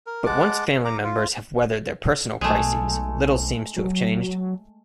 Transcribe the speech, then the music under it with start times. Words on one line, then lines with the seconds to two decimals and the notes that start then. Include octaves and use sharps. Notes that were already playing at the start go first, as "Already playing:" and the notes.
But once family members have weathered their personal crises, little seems to have changed.
0.07 A#4
0.26 G#3 F#5 A5 D6
0.85 A#5 D6
1.03 F4
2.41 B1 G#3 A3
3.76 F#3